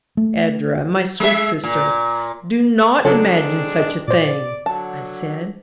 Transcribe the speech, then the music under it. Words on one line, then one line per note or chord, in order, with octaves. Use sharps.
"Edra, my sweet sister, do not imagine such a thing!" I said.
A3
G#3 E5
A#2
C#3 F#3 G#3 C4 D4 F4 A4 C#5
D#5
A#2 C5 D5
D3 F#3 A5